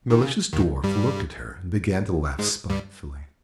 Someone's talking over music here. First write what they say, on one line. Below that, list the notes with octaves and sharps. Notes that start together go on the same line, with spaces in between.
The malicious Dwarf looked at her and began to laugh spitefully.
D#3
C#3
D#2 D#3
G2 G3
G#2 G#3
G2 G3